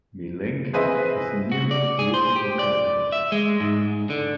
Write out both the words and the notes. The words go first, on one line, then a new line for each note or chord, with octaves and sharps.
Melenki is the nearest rural locality.
C4 G#4 B4 C5 D#5 E5
F#4
D5
G#4
C5
G4
D5
E5
G#3
G#2
D3